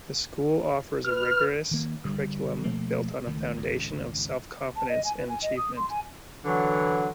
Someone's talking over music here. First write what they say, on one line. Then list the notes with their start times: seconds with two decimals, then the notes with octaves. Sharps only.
The school offers a rigorous curriculum built on a foundation of self-confidence and achievement.
1.04 B4 F6
1.71 D#3 A#3
2.04 G2 D3 G3
2.64 B2 F3 A3 A#3
3.27 C#2 D#3 F#3 A3
3.55 G#1 C#2
4.76 A5
4.89 D#5
5.04 G#5
5.17 B4
5.29 G#5
5.42 D#5
5.57 D#6
5.77 C6
5.90 G#5
6.45 D3 E3 F#3